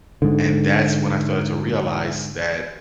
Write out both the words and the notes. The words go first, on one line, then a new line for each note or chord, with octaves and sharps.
and that's when I started to realize that
G#2 D3